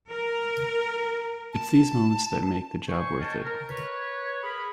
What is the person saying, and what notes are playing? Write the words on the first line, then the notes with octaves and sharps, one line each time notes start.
It's these moments that make the job worth it.
A#4
A5
C5 G#5 C#6
A#4 C#5 D#5 G5 A5
A#4
B4 C#5
G#4 A#4 B5